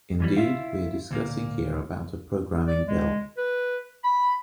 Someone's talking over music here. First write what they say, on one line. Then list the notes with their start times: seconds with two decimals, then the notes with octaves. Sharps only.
Indeed, we are discussing here about a programming bill.
0.20 F#2 E3 G3
0.37 E4 F4 E5 F5
1.11 D2 A#2 A#3
2.67 D5
2.87 G#3
3.37 B4
4.04 B5